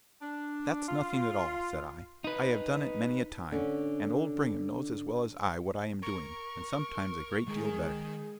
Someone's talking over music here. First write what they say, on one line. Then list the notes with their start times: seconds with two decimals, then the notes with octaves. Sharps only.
"That's nothing at all," said I; "I have done it many a time, and old Brigham knows as well as I what I am doing, and sometimes a great deal better."
0.22 D4
0.88 F4
2.24 D#4 B4
3.52 D3 C#4
6.03 A#4 C#6
7.48 D#3 G#3 G#4 A#4